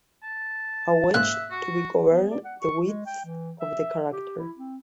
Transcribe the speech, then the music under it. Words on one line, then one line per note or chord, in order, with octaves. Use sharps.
A wedge to govern the width of the character.
A5
G#2 C#3 A#3 E5 F#6
F#4
B3
D5
F#5
C#6
G#3
G5
E3
E5
G4
E4
C4